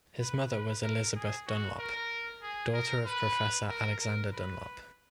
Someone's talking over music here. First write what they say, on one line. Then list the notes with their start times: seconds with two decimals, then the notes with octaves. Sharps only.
His mother was Elizabeth Dunlop, daughter of Professor Alexander Dunlop.
0.19 B4
0.51 B4
0.83 A#4
1.15 G#4
1.47 F#4
1.79 A#4
2.42 G#4
2.74 A#4
3.06 B4
3.69 A#4
4.01 A#4
4.33 B4